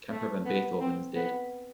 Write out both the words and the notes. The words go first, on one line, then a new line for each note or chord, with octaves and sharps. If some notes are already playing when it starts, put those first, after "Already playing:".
Camper Van Beethoven Is Dead.
A3
B3
C4
B3